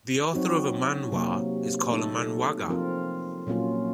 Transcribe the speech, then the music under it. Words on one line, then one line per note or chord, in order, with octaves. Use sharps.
The author of a manhwa is called a manhwaga.
F#3 C4 D#4 F#4
C3 F#3 A#3
A3 D#4 A4
F3 C4 F4 A#4
A#2 F#3 A#3 C#4 F4